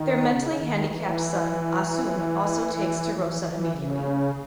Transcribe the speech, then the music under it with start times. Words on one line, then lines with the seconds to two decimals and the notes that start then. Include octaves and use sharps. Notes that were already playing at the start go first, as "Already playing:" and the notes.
Their mentally handicapped son Ah Soon also takes to Rosa immediately.
Already playing: D#3
0.27 C#3
0.56 D#3
0.84 E3
3.13 E3
3.41 E3
3.71 C#3